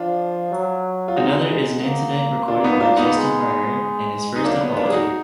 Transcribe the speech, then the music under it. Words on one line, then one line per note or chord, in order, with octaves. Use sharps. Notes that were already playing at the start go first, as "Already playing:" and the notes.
Another is an incident recorded by Justin Martyr in his "First Apology".
Already playing: F3 D4 F4
F#3
F4
G#3 D#4 F#4
A#3
A#3 D4 F4
B3 D#4
D4 F4
B3 D#4
G#3
D#4
F#3 A#3 D4
B3
B3
A#3 D4
G#4
D#4 F#4